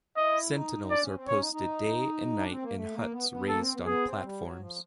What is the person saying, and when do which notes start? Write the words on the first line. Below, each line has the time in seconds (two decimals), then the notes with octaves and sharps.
Sentinels are posted day and night in huts raised on platforms.
0.17 E4 D#5
0.54 D#4
0.90 D4 D5
1.02 C#4
1.15 C4
1.28 C#4 C#5
1.40 D#4
1.53 D#4
2.39 D4
2.51 C4
2.62 A#3
2.75 A3
2.93 A#3
3.12 B3
3.30 B3
3.49 A#3 A4
3.61 C4
3.74 B3
3.85 B3 G#4
4.05 C4
4.23 G3
4.41 F#3
4.60 F3